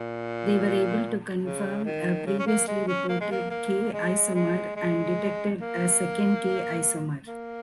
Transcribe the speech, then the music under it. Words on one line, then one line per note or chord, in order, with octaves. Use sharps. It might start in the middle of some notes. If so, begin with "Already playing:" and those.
They were able to confirm a previously reported K-isomer and detected a second K-isomer.
Already playing: A#2
C#3
D#3
C#3
C#4
A#3
G#3
C#4
A#3
G#3
A#3
A#3
G#3
G#3
G#3
A#3
A#3